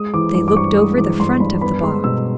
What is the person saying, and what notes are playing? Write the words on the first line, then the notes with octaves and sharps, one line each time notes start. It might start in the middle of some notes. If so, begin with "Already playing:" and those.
They looked over the front of the box.
Already playing: G#3 D#6
E3 D6
G2 D6
D6
G2 C#6
G#3 D#6
E3 D6
G2 C6
G2 B5
B3 B5
G#3 C6
B2 E6